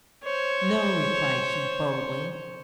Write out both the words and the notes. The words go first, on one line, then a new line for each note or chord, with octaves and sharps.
'No,' replied he, boldly.
C5 C#5